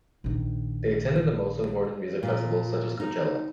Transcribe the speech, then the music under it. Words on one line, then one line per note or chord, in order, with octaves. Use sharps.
They attended the most important music festivals such as Coachella.
A#1 D#3
A#2
D#4